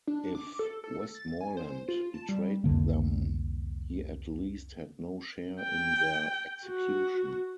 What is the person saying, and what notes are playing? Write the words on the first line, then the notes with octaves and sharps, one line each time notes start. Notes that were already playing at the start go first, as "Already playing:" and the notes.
If Westmorland betrayed them he at least had no share in their execution.
D4
D6
A4
A4
A6
G#5
C5
F4
A5
G3
C2 F2 D3 A#3
G5
F#4